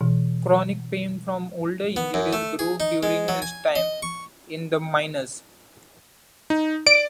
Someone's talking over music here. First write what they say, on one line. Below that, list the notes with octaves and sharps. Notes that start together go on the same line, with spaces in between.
Chronic pain from older injuries grew during his time in the minors.
B2 E3
B3
F#2
A3
G#4
D#4
G#3
F#3
G#5
D#5
C#6
D#4
D5 D7